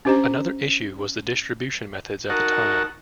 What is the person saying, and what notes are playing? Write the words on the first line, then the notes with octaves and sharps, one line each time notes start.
Another issue was the distribution methods at the time.
C#4 D4 G4 C5 D#5 A#5
D#4 F#4 A#4 F#5 A5